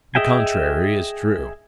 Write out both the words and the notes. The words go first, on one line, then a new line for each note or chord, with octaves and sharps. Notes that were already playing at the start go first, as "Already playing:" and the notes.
The contrary is true.
G#4 D#5 E5 G5 G#5